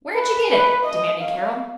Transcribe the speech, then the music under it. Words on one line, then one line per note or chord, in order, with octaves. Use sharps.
"Where'd you get it?" demanded Carroll.
B4
B4
D#5
F5